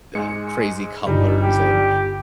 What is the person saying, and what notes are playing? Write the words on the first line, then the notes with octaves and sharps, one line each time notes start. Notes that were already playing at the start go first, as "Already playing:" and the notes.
the crazy colors and
G#2 G#3 C#7
G1 G3 D#4
G4